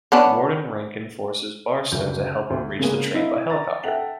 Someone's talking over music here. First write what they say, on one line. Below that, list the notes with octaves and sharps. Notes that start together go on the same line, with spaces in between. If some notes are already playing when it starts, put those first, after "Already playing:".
Warden Ranken forces Barstow to help him reach the train by helicopter.
B3 C#4 D4
F#1 D2 F#3 G6
D2
C#3 G#3 A#3 B3 G#4
C4 D#4 E4 D#5 F5
A#5 A6
A4 E5 F#5 G5